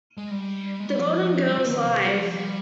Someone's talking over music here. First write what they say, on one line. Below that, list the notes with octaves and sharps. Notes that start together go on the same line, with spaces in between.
The Golden Girls: Live!
G#3
G3
G#3
G3
F3
G3
F3
D#3
C3
G3
F3
G3